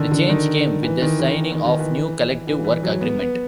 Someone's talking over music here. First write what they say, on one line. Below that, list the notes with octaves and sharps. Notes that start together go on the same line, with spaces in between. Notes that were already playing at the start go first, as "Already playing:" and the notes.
The change came with the signing of the new Collective Work Agreement.
Already playing: D3 D#3
D3
D#3
E3
D#3
D#3
D#3
D#3
E3
E3
E3
F#3
B3
B3